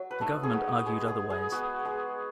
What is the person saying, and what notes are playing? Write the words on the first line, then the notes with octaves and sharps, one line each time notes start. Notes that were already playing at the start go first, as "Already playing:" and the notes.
The Government argued otherwise.
Already playing: F#3
B4
A3 D#4 A4
G#4
D#4 F#4
G#3 G#4
G#4
G#3
G#4
B3 F#4
G#3 G#4